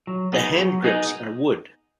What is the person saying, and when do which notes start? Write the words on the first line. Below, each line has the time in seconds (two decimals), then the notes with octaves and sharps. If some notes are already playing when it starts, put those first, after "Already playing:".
The handgrips are wood.
0.07 F#3
0.33 B3 D#4 G#4 D#5
0.58 F#3
0.82 B3 D#4 G#4 D#5